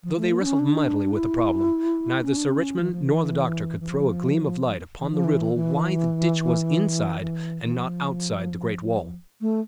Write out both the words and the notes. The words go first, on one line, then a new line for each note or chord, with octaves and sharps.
Though they wrestled mightily with the problem, neither Sir Richmond nor the doctor could throw a gleam of light upon the riddle why the ditch was inside and not outside the great wall.
F3
A3
A#3
D4
C#4
D4
E4
C#4
D4
C#4
E3
F3
E3
E3
F3
E3
F3
E3
E3
E3
E3
F3
A3